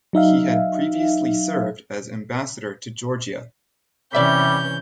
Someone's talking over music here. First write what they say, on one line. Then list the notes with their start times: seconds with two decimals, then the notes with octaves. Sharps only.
He had previously served as Ambassador to Georgia.
0.13 F#3 D#4 E5 F5
4.13 C3 E3 G3 C#4 D5 E5 G6 B6